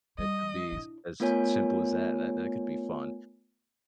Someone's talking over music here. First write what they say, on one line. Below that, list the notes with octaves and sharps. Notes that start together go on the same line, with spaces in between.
It could be s as s simple as that. That that could be fun.
G3 D#5
D4 E4
A3 B3 F4 A#4 C#5 G#5